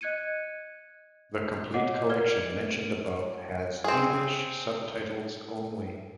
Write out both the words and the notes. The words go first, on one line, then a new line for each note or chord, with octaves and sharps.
The Complete Collection mentioned above has English subtitles only.
D#5 F#6 G#6 C#7 D#7
C#5 D#5 F#5 D6 C7
A#4 B4 D5 F6 G#6 G7
C4 G#4